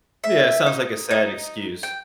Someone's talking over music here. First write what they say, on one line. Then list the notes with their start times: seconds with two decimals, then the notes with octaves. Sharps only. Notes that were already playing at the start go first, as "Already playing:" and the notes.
Yeah, it sounds like a sad excuse.
0.24 E5
0.66 D#4
1.11 D#4
1.83 G5